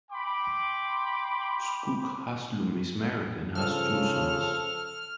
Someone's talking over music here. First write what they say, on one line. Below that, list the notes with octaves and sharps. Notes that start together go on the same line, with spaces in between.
Skoog Haslum is married and has two sons.
G5 B5 C6 D6
C#3 F3 A4 F6